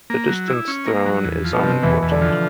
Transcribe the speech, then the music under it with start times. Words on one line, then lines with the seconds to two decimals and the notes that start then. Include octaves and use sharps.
The distance thrown is unimportant.
0.10 A#3
0.29 F#3
0.48 E4
0.68 C#4
0.86 A#3
1.05 F#3
1.25 E2
1.44 F3
1.53 B2 B3
1.63 C3
1.83 E2 E3 E4
2.02 E2
2.11 D3 D4
2.22 F3